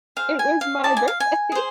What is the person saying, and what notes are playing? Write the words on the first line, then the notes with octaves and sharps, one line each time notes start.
It was my birthday.
G#4 C5 F5
G#5
F5
E4 G#4 D5 A5
G#5
F5
G#5
G#4 C5